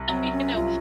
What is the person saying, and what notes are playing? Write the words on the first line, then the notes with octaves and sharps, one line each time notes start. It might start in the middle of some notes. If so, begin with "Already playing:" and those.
you know,
Already playing: C2
F#3 C4
C#4
C2 F4